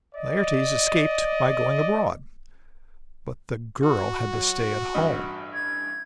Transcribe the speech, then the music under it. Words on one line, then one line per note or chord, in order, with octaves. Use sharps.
Laertes escaped by going abroad, but the girl had to stay at home.
D5 D#5
F#4
F#3
A1 G2 D#5
G#6